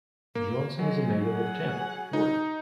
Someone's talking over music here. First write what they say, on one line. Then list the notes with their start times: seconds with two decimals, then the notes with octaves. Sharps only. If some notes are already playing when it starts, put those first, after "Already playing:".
Johnson is a native of Tampa, Florida.
0.35 A#3
0.79 F#3 G#3
1.25 G#4 F#5
2.13 D#4